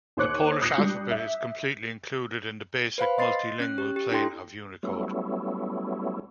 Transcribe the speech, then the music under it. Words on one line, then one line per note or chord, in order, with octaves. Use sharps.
The Polish alphabet is completely included in the Basic Multilingual Plane of Unicode.
D#2 C5 C#5 D6 F#6 C#7
D#6 F#6 G6 A#6 C7 C#7
G3 D4
E5
B4 C5 F5 B5
D#5 C6 A6 C7
C#4 F#6
G4
G4
D4 E4 A4 G5 C6
F#3 G3 A3 B3 C#4 E4